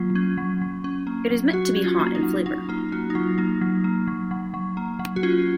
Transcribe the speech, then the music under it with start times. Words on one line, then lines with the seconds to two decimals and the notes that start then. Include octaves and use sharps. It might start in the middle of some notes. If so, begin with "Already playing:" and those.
It is meant to be hot in flavor.
Already playing: F#3 A#3 F4
0.15 C#4
0.38 F#3
0.62 F#3
0.84 C#4
1.07 A#3
1.30 F#3
1.53 F#3 F#4
1.76 C#4
1.84 F4
2.00 A#3
2.15 D#4
2.23 F#3
2.46 F#3 D#4
2.69 A#3 F4
2.92 A#3 F#4
3.10 D#4
3.15 F#3 F4
3.38 A#3 D#4
3.61 F#3
3.84 A#3
4.08 F#3
4.31 F#3
4.54 F#3
4.77 A#3
4.99 F#3
5.16 F#4
5.23 C#4 F4